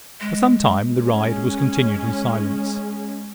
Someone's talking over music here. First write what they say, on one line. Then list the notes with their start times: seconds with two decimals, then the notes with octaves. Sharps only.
For some time the ride was continued in silence.
0.21 G#3
0.94 G#3 C#4